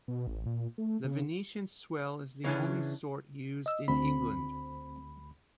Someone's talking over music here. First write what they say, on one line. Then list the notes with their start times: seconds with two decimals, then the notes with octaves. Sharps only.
The Venetian swell is the only sort used in England.
0.08 B2
0.27 A1
0.46 A#2
0.78 A3
1.04 C#3
2.44 C#3 E3 C#4 D4
3.66 D#5 E6
3.88 D2 C4 B5